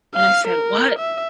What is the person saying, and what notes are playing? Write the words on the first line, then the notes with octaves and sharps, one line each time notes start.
and I said, "What?"
F5
A#4
E5